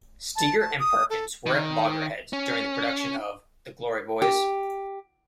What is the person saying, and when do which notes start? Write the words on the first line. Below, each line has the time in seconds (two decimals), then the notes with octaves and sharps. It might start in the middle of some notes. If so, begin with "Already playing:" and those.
Steiger and Perkins were at loggerheads during the production of "The Glory Boys".
0.36 A5
0.60 A5
0.79 D#6
1.10 A4
1.46 D#3
2.33 C#4
4.22 G4